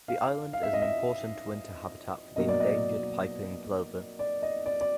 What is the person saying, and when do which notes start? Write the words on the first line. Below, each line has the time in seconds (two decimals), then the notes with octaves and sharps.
The island is an important winter habitat for the endangered piping plover.
0.08 F5
0.53 F5
0.63 E5
0.73 D#5
0.82 E5
2.36 B2 F#3 A#3 D#5
2.48 D5
2.60 D#5
4.19 D5
4.42 D#5
4.66 D5
4.81 D5